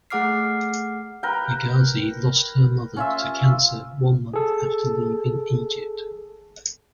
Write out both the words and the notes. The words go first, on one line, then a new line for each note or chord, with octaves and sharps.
Hegazi lost her mother to cancer one month after leaving Egypt.
A3 G#4 F#5 D6 F6 C7
A#4 B4 G5
C#4 F4 E5
G#4 A4